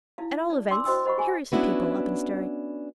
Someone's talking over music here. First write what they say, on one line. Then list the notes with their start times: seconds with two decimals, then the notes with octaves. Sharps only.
At all events here are some people up and stirring.
0.18 D#4 E4 F5
0.50 D#4 D5
0.70 D4 D#4 D5 C6 D6 E6
0.85 F#4 C5 D#5 G5 D#6 E6
1.05 C5 D#5 F#5 B5 C#6
1.18 G#4 G#5
1.52 B3 C#4 D4 E4 F#4 B4